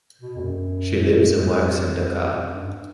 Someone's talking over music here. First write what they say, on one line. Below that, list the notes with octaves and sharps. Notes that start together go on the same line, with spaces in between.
She lives and works in Dakar.
B2
F2
F#2
F#2
F2
F2
F2
F#2
G2